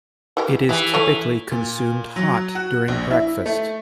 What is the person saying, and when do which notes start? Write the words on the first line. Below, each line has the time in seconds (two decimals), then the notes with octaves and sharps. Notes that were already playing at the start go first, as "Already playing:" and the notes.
It is typically consumed hot during breakfast.
0.37 E3 G4 A#4
0.69 E3 G4 G#4
0.94 A3 C#4
1.51 A#2
2.16 F#3
2.55 F#4
2.88 A#1
3.11 E4
3.46 A3